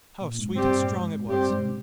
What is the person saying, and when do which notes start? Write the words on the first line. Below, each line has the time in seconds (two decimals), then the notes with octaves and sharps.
How sweet and strong it was!
0.21 A#2
0.39 G#2
0.55 G2 G3 C4 G4
0.80 A#2
0.90 G#2
1.24 G2 G3 C4 G4 C5
1.48 G#2
1.60 C3